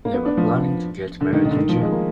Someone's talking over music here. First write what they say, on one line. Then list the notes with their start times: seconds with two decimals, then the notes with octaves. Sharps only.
They were planning to get married in June.
0.05 A#3
0.14 B3
0.26 D4
0.37 F3
1.21 D3
1.33 D#3
1.45 D#3
1.51 D3
1.57 D#3
1.69 F3
1.81 G#3
1.92 A#3